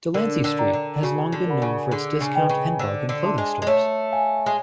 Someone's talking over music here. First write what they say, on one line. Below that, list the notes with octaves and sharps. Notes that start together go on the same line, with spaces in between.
Delancey Street has long been known for its discount and bargain clothing stores.
D3 A#4
D3
D5 G5 A#5
D3
C#3 F#4
D3
A#4 D5 F#5 B5
C#3
D3 G#4
C#3
B4 D#5 G5
C#3
D3 C5
D3
E5 A5 C6
G#3
G#3
A3 C#5
F5 G#5
G#3